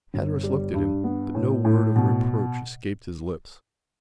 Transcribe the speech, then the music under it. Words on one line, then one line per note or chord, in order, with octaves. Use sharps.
Hatteras looked at him, but no word of reproach escaped his lips.
G1
G3
G2
B3
A2
A2
B2